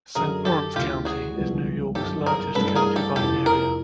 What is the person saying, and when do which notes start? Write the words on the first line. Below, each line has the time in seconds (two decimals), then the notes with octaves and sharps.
Saint Lawrence County is New York's largest county by area.
0.15 F#2 D3 F#3 G#4 A#4
0.45 G4 A4
0.76 D2 C#3 E3 F4 G4
1.05 F#4 G#4
1.35 C2 C3 F3 G#3 B3
1.95 G1 F#2 D#3 G4 A4
2.26 G#4 A#4
2.55 G2 E3 A3 D4 A4 B4
2.69 A4
2.75 G#4 A#4
2.96 G4 A4
3.16 F1 E2 C#3 E3 G4 A4
3.46 G#4 A#4